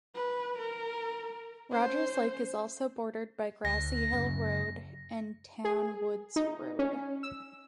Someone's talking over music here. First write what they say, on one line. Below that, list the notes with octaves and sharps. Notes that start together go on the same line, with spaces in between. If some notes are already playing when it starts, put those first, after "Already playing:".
Rogers Lake is also bordered by Grassy Hill Road and Town Woods Road.
B4
A#4
C#4 C5
D2 A#6
F#2 C#3
G#4
D#4
C#4
E6